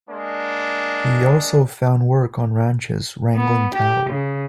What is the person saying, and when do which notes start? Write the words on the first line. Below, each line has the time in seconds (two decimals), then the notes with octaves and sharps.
He also found work on ranches wrangling cattle.
0.10 G#3 A#3 D4
3.36 B3
3.75 G4
4.11 C#3